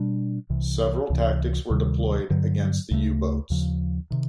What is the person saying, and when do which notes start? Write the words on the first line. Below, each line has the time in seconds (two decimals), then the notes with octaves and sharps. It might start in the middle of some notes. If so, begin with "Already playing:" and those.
Several tactics were deployed against the U-boats.
Already playing: B2 G3 D4
0.50 C2 C3 E3
1.10 C#2 C3 E3
1.70 D2 C3 D#3 G3
2.30 G2 D3 F#3
2.91 D2 C#3 F3 A3
3.50 D#2 C#3 F3
4.11 C3 D#3